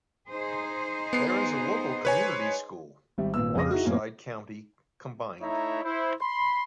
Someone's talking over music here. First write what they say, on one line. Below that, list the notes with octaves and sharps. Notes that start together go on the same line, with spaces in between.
There is a local community school, Waterside County Combined.
D#4 G#4 C5
B3 C7
B4 C#5 G#5
G#1 G3 E5
G#1 A#2 B4 E6
F2 C#3 G#4 D#6 A#6
D#4 E4 F#4 G#4
F#2 A2 A#3 B3 C#4
A3 D#4 E4 C#5 E5 A#5
E4 C5
B5 C6